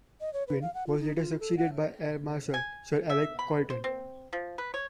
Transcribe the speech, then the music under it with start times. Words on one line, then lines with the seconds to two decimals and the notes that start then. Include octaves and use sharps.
Baldwin was later succeeded by Air Marshal Sir Alec Coryton.
0.21 D#5
0.33 C#5
0.48 B4
0.62 F5
0.74 F#5
0.87 F4
1.00 D#4
1.17 F4
1.40 A4
1.57 F#5
2.54 G#5
3.10 E5
3.39 B5
3.70 C5
3.84 C4
4.33 F3
4.58 B4
4.74 C#5